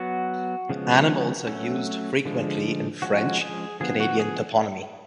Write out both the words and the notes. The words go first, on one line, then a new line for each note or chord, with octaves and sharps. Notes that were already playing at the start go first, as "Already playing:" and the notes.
Animals are used frequently in French Canadian toponymy.
Already playing: F#3 B3 F#4
C#3 F3 G#3 B3
F#3 A3 C#4
D3 F3 G#3
F3 G#3 C#4 F#4
G#4
D3 F3 B3 G#4
F#4
G#4